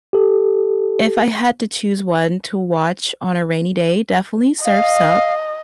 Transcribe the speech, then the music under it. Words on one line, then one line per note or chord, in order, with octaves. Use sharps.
if I had to choose one to watch on a rainy day, definitely Surf's Up.
G4 A4
D#5 F5